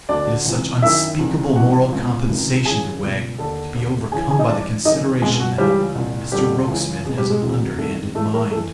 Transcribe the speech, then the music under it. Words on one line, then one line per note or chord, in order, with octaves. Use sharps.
It is such unspeakable moral compensation to Wegg, to be overcome by the consideration that Mr Rokesmith has an underhanded mind!
D2 D3 D4 D5
C#2 C3 E3
F#2 D#3 E4 E5
C2 C3 E3
C2 C3 E3 F#4 F#5
C#2 B2
C#2 C3 D#3
F#2 C#3 E3 G#4 G#5
C#2 B2
D#2 D3 A4 A5
D#2 D3
F#2 C#3 E3 G#4 G#5
G#4 G#5
D#4 D#5
G2 E3 D4 D5
F#2 D#3 D#4 D#5
C#2 B2 G#3 G#4
F#4
C#2 C#3 E3 G3 G4
C2 A#2
F2 D3 G3 G4
C#2 C#3 E3
C#2 B2 G#3 G#4
G3 G4
G#3 G#4
D2 C3 E3
C2 C3 D#3 A3 A4
G2 E3 A3 A4
A#3 A#4
A3 A4
E3